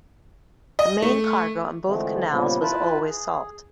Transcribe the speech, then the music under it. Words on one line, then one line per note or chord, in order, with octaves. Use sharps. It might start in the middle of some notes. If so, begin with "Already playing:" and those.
The main cargo on both canals was always salt.
D#5
A3
D3 E3 F3 G#3 A3 C4
A#2 C#3 F3 G3 A#3 B3
E4 F4 B4 A5 B5
G#4